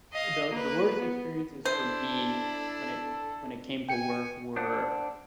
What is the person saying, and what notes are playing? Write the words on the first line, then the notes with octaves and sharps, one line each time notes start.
the the worst experiences for me when it when it came to work were
D#5 F5
A#3 B4
B3
D4 E4 A4 C5
G5 G#5 C#7
D4 C5 F#5